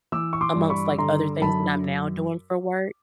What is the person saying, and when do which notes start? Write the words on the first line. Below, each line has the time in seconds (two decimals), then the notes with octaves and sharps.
amongst, like, other things that I'm now doing for work.
0.12 E3 D6 E6
0.33 C#6
0.41 C6 D6
0.55 G2
0.70 B5 C#6
0.98 D3 A#5 C6
1.41 F#2 A5 B5